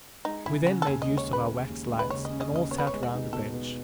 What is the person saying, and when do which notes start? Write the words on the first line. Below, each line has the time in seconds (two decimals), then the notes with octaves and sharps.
We then made use of our wax lights, and all sat round a bench.
0.25 G#3 D#4
0.46 C#3 E4
0.67 C#4 F#4
0.82 A4
0.87 D#2 G#4
1.02 D#5
1.08 G#3
1.17 C#5
1.28 C#3 B4
1.48 C#4
1.69 D#2
1.89 G#3
1.99 B4
2.10 C#3 C#5
2.25 D#5
2.30 C#4
2.41 D#5
2.50 D#2
2.56 D#5
2.71 B3 C#5
2.78 B4
2.87 C#5
2.93 G#3
3.03 F#4
3.13 D#4
3.33 B2 A4
3.54 B3